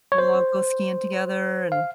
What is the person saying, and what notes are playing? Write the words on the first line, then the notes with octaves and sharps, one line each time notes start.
we'll all go skiing together and
C#5
C5
F5